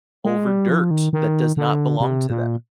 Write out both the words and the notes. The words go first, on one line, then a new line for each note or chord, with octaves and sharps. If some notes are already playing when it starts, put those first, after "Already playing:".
over dirt that does not belong to them
G#3
G3
F3
D#3
D#3
D3
C3
A#2